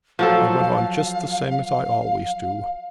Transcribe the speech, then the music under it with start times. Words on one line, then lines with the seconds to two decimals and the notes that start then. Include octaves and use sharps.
I went on just the same as I always do.
0.19 F3 F#3 A4 F5